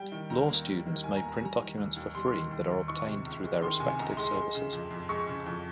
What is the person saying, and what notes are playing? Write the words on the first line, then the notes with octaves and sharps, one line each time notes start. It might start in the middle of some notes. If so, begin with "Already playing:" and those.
Law students may print documents for free that are obtained through their respective services.
Already playing: G3 G5
D#3
D#2 A#5
A#3
G3
D#3
D#2 G#5
A#5
A#3
A#5
G#5
G3 A#5
D#3
D#2
D#2
G3 C6
D#3
D#2
D#2
D#3 C#6
C3
C#2
G#3
D#3 C6
C3 G#5
C#2 A#5
G#3 C6
G#3
C#3
F2
F2
G#3 C#6
C#3
F2